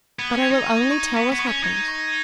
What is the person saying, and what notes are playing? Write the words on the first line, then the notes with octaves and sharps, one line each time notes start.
But I will only tell what happened.
B3 G#6
C#4
G#6
D#4
C#6
C#6
B3 A#6
B3
C#6
C#4
D#4 G#6
C#6